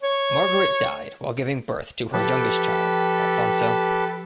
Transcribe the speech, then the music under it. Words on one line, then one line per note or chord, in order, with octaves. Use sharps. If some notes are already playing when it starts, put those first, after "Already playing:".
Margaret died while giving birth to her youngest child, Alfonso.
C#5
F3 G4 A4 B4